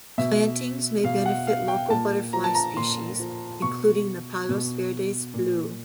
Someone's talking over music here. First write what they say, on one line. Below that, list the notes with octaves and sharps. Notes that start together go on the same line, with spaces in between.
Plantings may benefit local butterfly species including the Palos Verdes blue.
B2 E5
B2 F5
F#5
F5
G5
A#2 A5
F3 A#5
A5
A#5
A#2 C6
F3
B2 C#6
B2
A#2